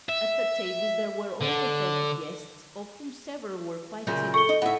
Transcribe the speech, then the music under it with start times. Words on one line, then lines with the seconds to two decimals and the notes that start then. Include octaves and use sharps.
At the table there were all the thirty guests, of whom several were quite tipsy.
0.09 E5
1.42 D3
4.07 F#2 A#2 C#3 G6
4.34 A4 C#6 C#7 G7
4.49 D#4
4.62 A2 E5 F#5